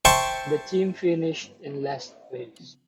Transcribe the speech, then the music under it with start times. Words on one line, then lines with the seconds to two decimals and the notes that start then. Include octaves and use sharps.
The team finished in last place.
0.05 C5 E5 G5 A5 C#6